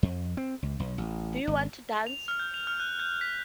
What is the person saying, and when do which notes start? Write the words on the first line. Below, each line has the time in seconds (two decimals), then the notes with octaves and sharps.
Do you want to dance?
0.03 F2
0.37 C4
0.62 C#2
0.80 B1
0.98 A1
1.47 G#1
2.07 F7
2.28 F6
2.39 G6
2.54 F7
2.67 F6
2.80 F#6
2.99 G6
3.21 B6